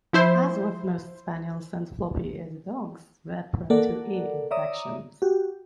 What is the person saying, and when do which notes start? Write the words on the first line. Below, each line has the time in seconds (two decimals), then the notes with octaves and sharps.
As with most spaniels and floppy eared dogs, they are prone to ear infections.
0.13 F3 E4 C5
3.70 A#3 A4 A#4 D5 F#5
4.51 C#5 D5 E5 A#5 D#6
5.22 F#4 G4